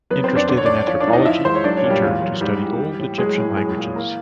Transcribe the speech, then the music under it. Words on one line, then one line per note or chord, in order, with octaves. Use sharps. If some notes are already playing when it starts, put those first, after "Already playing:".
Interested in anthropology, he turned to study Old Egyptian languages.
F#3 B3 B4
C4 C5
F2
D4 D5
D3 D5
C#5
D3 D4 D5
F3 C#4 C#5
D4 D5
A2
D#4 D#5
F3 E4 E5
G#2 C5
C#5
F#3 D4 D5
C#4 C#5
A#2
G3 G4
E2 F4
F#3
G#2 G3 G4
E3
E3
A2
F#3 G#3 G#4
A2
F#3 G#3 G#4
A#2
E3 A#3 A#4